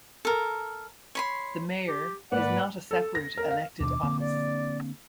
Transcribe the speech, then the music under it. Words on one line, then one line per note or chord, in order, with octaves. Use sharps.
The mayor is not a separate elected office.
A4 A#4
C#5 B5 C6
G4
G#2 A#3 B4 D5 F#5
A4
A#6
A#4
F5
D#2 B2 D4 D6
D3 A#3 C4
D5